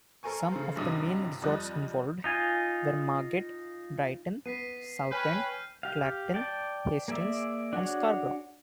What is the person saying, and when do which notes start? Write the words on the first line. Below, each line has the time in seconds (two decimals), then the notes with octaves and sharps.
Some of the main resorts involved were Margate, Brighton, Southend, Clacton, Hastings and Scarborough.
0.23 A4 A#4 C5 G#5 C#6
0.52 C#3 A3 C5
0.76 A1 G2 C3 F#3 D#5 D#6
1.42 F2 G3 D#5 F#6 A6
2.24 D#4 F4 G#5
4.46 B3 B6 C7 D#7
5.11 B4 C#5 G5 G#5 F6 G6 D#7
5.83 G4 F5
6.34 D5 G5 A5
7.08 A#3 G#4 D5 E5
7.73 D4 F#4 G#4 C#5